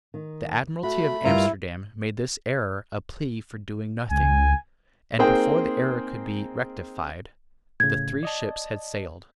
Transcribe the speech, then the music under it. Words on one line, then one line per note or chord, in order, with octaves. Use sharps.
The Admiralty of Amsterdam made this error a plea for doing nothing; and, before the error could be rectified, the three ships had sailed.
D#3
A3 F#4 B5
G2 G3 E4 F4 A#4 A#5
C#2 G#5
A#3 C4 D#4 G#4 C5 G5
A2 C#3 G#6
D5 D#5 A5